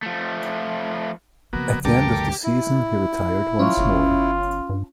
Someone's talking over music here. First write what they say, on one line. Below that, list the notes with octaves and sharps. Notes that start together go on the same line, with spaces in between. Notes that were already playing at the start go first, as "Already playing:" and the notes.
At the end of the season, he retired once more.
F3 A3
C#3 F3 A#3 B3 F#4
D2 G2 G4 A4 A#4 D6
E4
F#3 C#4 F4
G1
G2